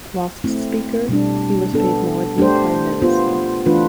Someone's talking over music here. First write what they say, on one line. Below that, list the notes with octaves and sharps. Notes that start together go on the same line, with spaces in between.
Whilst Speaker he was paid more than the Prime Minister.
A3 C4 E4
B2 G3 D4
B3 D4 A4
A3 D4 G4 C5
B3 F4 C5
E3 A3 D4 F4 B4